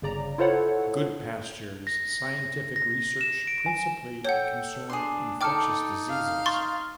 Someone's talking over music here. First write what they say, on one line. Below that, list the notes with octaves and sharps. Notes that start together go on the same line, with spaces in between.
Goodpasture's scientific research principally concerned infectious diseases.
G1 C#3 D5 A#5
E4 F4 A4 C5 C#5 F#5
A#6
A#6
E7
D7
G#5
A4 C#5 F#5 G5
D4 G#4 C6
D#4 A4 D5 G5 D6 F6
F5
C6 C#6 A6